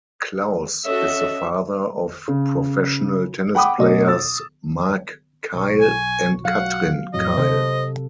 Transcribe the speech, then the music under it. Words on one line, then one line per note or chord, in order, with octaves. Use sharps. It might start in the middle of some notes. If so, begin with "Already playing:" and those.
Klaus is the father of professional tennis players Mark Keil and Kathrin Keil.
C#4 F#4 A4 C#5 D#5 E5
C#3
F#5 G5 B5 D6 D#6
D2 B2 D#5
E6 A6
B1 C#6
G#5
F#3 F5 F#5
F2 A2 F#3 D#5
C3 A4 C5